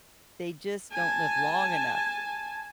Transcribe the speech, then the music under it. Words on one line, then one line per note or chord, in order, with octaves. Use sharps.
they just don't live long enough.
G#5 A5